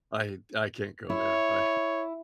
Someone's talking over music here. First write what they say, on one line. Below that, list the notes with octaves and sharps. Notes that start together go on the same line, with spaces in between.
I I can't go there. I
E4 C#5